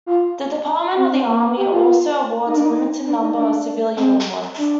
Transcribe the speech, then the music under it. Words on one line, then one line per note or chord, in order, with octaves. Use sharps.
The Department of the Army also awards a limited number of civilian awards.
F4
C4
C4
A#3
G4
F4
D#4
D4
D#4
D4
D#4
D4
C4
D4